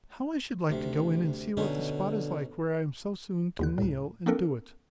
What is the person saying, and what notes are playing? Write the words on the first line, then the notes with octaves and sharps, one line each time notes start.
"How I should like to go in and see what the spot is like where I am so soon to kneel and do it."
D2 C3
B2 D3 C#4 D#4
D#2 D3 F#6
C#2 A2
A#3 C4 D4 A4 A#4